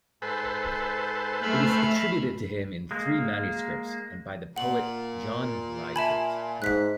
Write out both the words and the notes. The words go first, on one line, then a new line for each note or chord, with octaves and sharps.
It is attributed to him in three manuscripts and by the poet John Lydgate.
G#2 A4 B4 C5 G#5
A3 E5 F5 B5
G#3 A#3
A#2 F#5 F#7
E5 G#5 A5 B5
G#2 F#6 B6